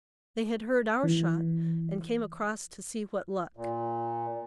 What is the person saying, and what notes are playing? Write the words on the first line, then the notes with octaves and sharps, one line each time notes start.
They had heard our shot, and came across to see what luck.
E3
A#2